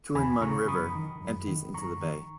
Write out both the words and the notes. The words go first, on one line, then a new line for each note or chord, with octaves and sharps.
Tuen Mun River empties into the bay.
D#2 G#5 B5
C#3 A#5 C#6
F#2 B5 D#6
D#3
F#2
D#3
F#2 A#5 C#6
D#3